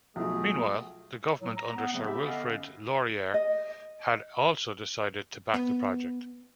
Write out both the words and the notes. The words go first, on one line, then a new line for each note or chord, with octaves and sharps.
Meanwhile, the government, under Sir Wilfrid Laurier, had also decided to back the project.
B1 F3 A3 G#4
A2 F#3
A#5
B3
C#3 F3 G3 A3 B3 C4
G4 E5 B5
D3 B3 C#4 A4 D#5 F5
D#5
B3